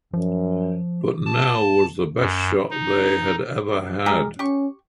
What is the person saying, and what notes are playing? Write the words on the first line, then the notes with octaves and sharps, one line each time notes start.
But now was the best shot they had ever had.
F#2 F3
A5
F#2
D#4
G#3 G4 G#4 A#4
C#4 G4 C#6